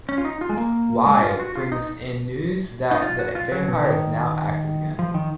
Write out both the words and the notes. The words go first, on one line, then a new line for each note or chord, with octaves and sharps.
Wai brings in news that the vampire is now active again.
C#4
F4
D#4
F4
G#3
A#3
G#3
F4
F#4
F4
D#4
D#4
F4
F#4
F4
F#3
B2
D#3
F3
D#3